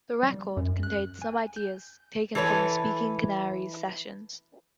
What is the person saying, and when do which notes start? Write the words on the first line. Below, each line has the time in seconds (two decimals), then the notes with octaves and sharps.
The record contained some ideas taken from the Speaking Canaries sessions.
0.23 G3
0.57 F#2
0.83 F#6
1.22 G#5
1.56 G6
2.35 E3 A4 B4 C#5